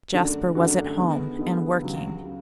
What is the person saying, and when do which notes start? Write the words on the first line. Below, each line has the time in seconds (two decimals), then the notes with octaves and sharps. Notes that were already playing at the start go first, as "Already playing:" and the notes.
Jasper was at home, and working.
0.13 F#2 D3 A3 D4 F#4
0.55 F#2 D3 A3 D4 F#4
0.97 D3 G#3 B3
1.39 D3 G#3 B3
1.82 C#2 C#3 F#3
2.23 C#3 F#3